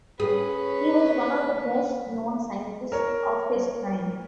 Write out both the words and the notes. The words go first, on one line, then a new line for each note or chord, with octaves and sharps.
He was one of the best known scientists of his time.
C#4 G#4 B4
A#4 C#5